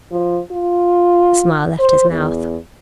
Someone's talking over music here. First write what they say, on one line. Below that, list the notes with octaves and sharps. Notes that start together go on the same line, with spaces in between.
The smile left his mouth.
F3
F4
C5
E2